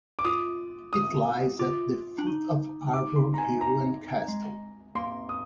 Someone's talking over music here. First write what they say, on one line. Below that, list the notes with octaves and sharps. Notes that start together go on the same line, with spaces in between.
It lies at the foot of Aarburg hill and castle.
D6
F4 D#6
D#6
F4 D6
D4
D#4
D6
C6
A#5
G#5
A#5
G#3
A#3 C6
D#6